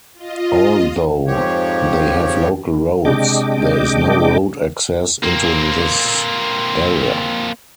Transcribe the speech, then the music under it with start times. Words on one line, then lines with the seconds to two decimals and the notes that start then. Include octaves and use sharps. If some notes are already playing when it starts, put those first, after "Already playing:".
Although they have local roads, there is no road access into this area.
0.14 F4 D#5
1.27 F2 G#2 F3 G4 C#5
3.05 C3 G#3 D4 D#5 G5 D6
5.23 A#3 C4